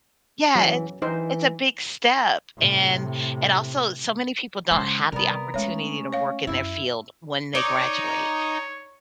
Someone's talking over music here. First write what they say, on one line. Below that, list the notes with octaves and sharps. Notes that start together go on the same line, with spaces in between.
Yeah, it's the it's a big step and and also so many people don't have the opportunity to work in their field when they graduate.
E3 F#3
E3 D#4 C5
A2 C3
C#3 G#3 C5
C3 G3 B3 A#4
G#3 A3 C#4 C#5
C#5 F5
F#2 E4
D#4 C#5 D5